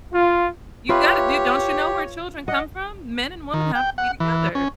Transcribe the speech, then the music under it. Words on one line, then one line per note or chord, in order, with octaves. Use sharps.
You gotta do don't you know where children come from? Men and women have to be together.
F4
F4 G4 B4 C#5 E5
D#5 F#5
D#3
G5
F#5
E3
C#4